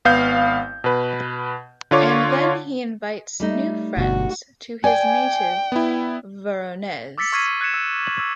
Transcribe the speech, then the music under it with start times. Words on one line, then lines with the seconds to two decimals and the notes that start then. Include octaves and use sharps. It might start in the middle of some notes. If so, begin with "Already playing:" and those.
And then he invites new friends to his native Voronezh.
0.05 G#1 B3 F5 G6
0.84 B2 B4
1.91 D3 F4 C#5 D6
3.40 G3 A3 D#4
3.97 G1 B2 D3 F#4
4.84 D5 G5 G#5
5.72 B3 E4
7.18 D6 E6 A6 B6 C#7
7.33 C#6 F6 G#6 B6 C7 D#7
7.61 F#6 G#6 A6 B6 C#7 E7
7.74 E6
8.05 F#7
8.20 E6